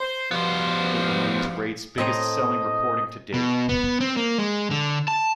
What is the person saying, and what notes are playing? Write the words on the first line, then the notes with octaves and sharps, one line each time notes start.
It remains Raitt's biggest-selling recording to date.
C5
G2 B2 F3 B3 C5
A2 C4 D#5 A#5
B2
B3
C4
A#3
G#3
D3
A5